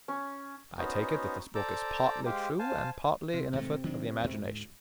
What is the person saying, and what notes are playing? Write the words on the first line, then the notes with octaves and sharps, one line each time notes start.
I take it that this book is partly true, and partly an effort of the imagination.
C#4
B3 C#4 D#4 F#4 C5
A4 C5 D5 A#5 D6 E6
G#3 G4 C5 F5 G5
C5 F5 G#5 A5
C3
G#1 G#2 A3
D#3 F#3 D4
D2 G#2